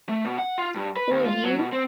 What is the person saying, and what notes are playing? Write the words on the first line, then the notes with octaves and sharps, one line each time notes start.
Would you?
A3
B2
F#5
F4
G2
B4
D#2
F4
F#3
B2
C4